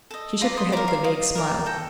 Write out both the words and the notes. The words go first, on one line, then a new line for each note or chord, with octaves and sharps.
She shook her head with a vague smile.
A4 D#5
F4 A#5 D6
C6 D#6
A#4 D5 A#5 D6
F5
F4 D#5
A#4 D5
A4 G5 A#5